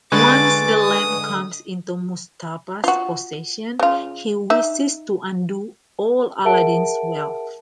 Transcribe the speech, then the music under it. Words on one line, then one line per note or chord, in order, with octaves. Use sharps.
Once the lamp comes into Mustappa's possession, he wishes to undo all Aladdin's wealth.
D3 G#3 B4 G#5 C#6 D6 F#6 A6
D#6
F4 F#4
C#3 F4
D#4 E5
G#4 A#4 E5 F#5 A5 D7